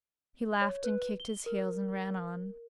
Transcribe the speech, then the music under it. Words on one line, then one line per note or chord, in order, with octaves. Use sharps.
He laughed and kicked his heels and ran on.
C#5
B4
G7
A#4